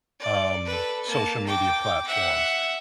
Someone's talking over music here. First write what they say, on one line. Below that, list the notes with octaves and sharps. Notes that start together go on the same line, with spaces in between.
um, social media platforms.
D5
A4 B4
A#3 A5
G5 D6
E5 F#5